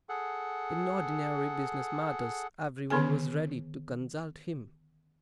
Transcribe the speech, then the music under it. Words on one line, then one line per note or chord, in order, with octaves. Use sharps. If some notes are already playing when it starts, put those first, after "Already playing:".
In ordinary business matters every one was ready to consult him.
G#4 A4 F#5
D3 D#3 B3 G#4 G#5